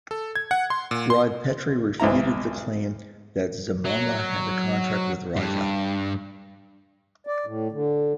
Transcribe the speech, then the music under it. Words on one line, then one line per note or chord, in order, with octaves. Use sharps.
Rod Petrie refuted the claim that Zemmama had a contract with Raja.
A4
G#6
F#5
C6
A#2
C6
B1 G#2 E4 A#5
F#3
G2
D5
A2
D3